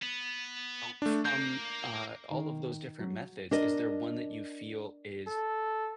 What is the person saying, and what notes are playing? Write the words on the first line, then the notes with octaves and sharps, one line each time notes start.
Oh, from, uh, all of those different methods, is there one that you feel is
B3
A3 D4
A#3 G6
D#3
F#3
D4 A#4 D#5
A4